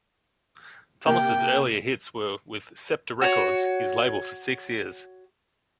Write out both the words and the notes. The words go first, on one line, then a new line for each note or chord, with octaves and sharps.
Thomas's earlier hits were with Scepter Records, his label for six years.
C3 A#3 A#4 G5
F#4 C#5